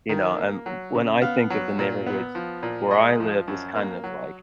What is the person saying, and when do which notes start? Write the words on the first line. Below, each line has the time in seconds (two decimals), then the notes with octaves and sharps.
You know, and when I think of the neighborhoods where I live, it's kind of like,
0.09 D#3
0.38 A#3
0.66 F#3
0.95 C#3
1.22 B3 F5
1.50 F#3
1.79 A#2
2.06 B3
2.35 F3
2.63 A#2
2.91 G#3 D#5
3.20 F3
3.48 F#2
3.75 A#3
4.04 F#3